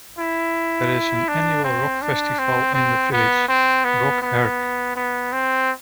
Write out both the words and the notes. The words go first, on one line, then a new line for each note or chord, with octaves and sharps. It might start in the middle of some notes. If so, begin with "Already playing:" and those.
There is an annual rock festival in the village, Rock Herk.
E4
D4
C4
D4
C4
C4
B3
C4
B3
B3
B3
C4